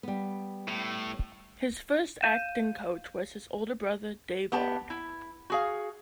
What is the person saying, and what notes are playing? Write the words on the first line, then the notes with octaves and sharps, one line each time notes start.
His first acting coach was his older brother, Davood.
G3 B3
A2
F5 G6 D#7 E7
B3 G4 A5
E4
F#4 G#4 F5